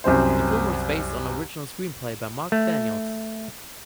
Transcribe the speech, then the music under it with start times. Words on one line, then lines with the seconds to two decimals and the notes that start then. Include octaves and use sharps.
The film was based on an original screenplay by Mark Daniels.
0.04 C2 F#2 C4 C5
2.52 A3